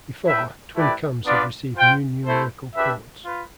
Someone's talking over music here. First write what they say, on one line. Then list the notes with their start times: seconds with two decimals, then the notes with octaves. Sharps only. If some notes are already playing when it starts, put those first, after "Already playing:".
Before, twin cams had received new numerical codes.
0.24 E4 B4 E5 G5
0.75 A3 E4 G4 B4 D5
1.25 B3 D4 F4 B4 D5
1.75 F4 C5 G5
2.25 A3 E4 A4 C5
2.75 D4 G4 B4 E5
3.25 F4 B4